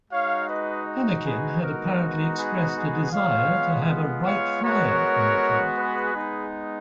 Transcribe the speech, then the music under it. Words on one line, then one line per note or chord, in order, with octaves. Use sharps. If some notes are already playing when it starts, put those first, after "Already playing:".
Annakin had apparently expressed a desire to have a Wright Flyer in the film.
G#3 D#4 F#4 C#5 F5
B4 D#5
G#4 B4
G#3 B3 D#4 F#4 A#4
A#4
G#4 B4
G#4 B4
G#3 B3 F4 C#5 F5
C#5 F5
G#3 B3 F#4 A#4 C#5
G#4 B4
G#3 B3 D#4